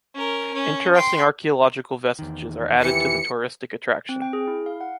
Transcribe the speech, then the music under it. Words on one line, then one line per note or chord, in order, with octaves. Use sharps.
Interesting archeological vestiges are added to the touristic attraction.
C#4 A#4
C#4
G5 C6
E2 D#3
E3 G4 C#7
C4
G5
G#4
E4
F5
F#5